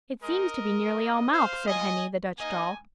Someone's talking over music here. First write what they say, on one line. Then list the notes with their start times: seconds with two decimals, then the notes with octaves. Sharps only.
"It seems to be nearly all mouth!" said Henny, the Dutch doll.
0.21 G#3 D#4 A#4 D#5
0.93 A#3 F4
1.30 C5 F5
1.66 A#3 F4 D#5 G#5
2.38 A#3 D#4 D#5 G#5